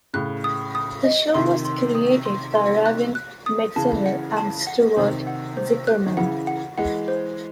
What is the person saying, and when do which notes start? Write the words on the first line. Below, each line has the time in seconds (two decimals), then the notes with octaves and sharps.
The show was created by Raven Metzner and Stuart Zicherman.
0.14 A2 C#3 F#6
0.44 D#6
0.75 D#6
1.04 D#5
1.34 C3 D#3 C6
1.65 C6
1.95 D#6
2.26 C6
2.55 C6
2.86 F#6
3.15 F#6
3.46 D#6
3.76 C#3 E3 A5
4.06 F#5
4.37 A5
4.67 F#5
4.96 C3 D#3 C5
5.27 F#5
5.57 C5
5.87 F#6
6.06 D#3
6.17 C#3 E3 F#5
6.47 F#5
6.78 E3 G#3 F#5
7.08 C5